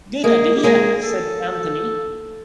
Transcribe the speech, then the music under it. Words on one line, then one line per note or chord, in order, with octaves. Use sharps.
"Good idea," said Anthony.
G#3 A#3 G#4
G4
G#3 A#3 G#4
A4